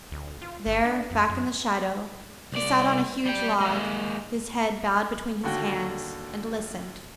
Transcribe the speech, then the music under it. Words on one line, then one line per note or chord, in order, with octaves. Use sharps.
There, back in the shadow, he sat on a huge log, his head bowed between his hands, and listened.
D2
F4
G1
D4
F2
F#2
C2 D5
G3 G5
G#3 A#3
D#2 D3 F#4 G5